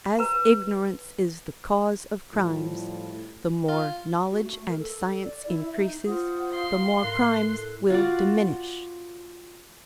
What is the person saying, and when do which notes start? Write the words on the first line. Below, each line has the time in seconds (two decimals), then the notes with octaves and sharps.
As ignorance is the cause of crimes, the more knowledge and science increases, the more crimes will diminish.
0.19 B4 A#5
2.33 A2 F3 G3
3.68 F4
4.31 F#4
4.45 A3
4.68 A#4
4.79 A4
5.23 D5
5.48 E4
5.65 E5
5.77 D#4
6.07 F4 C5 F#5 D#6
6.54 F5 C6
7.03 A2 A#4 F#6
7.43 A4
7.90 F4 F#4 D5